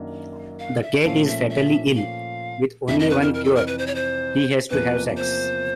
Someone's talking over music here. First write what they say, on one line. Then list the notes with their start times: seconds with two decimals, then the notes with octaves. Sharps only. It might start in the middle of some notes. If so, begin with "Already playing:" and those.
The Cat is fatally ill, with only one cure: he has to have sex.
Already playing: F#2 D#3 F#3 A#3 D4
0.59 F5
0.82 E5
1.05 A#2 F3 A3 C#4 F5
1.28 E5
1.50 E5
1.96 F5
2.88 F2 C3 E3 E5
3.00 D#5
3.10 B4
3.22 A#4
3.34 A#4
3.45 A4
3.56 A#4
3.67 B4
3.79 C5
3.87 C#5
3.95 C5
4.70 E2 C3 F3 A#3 B4
5.17 C5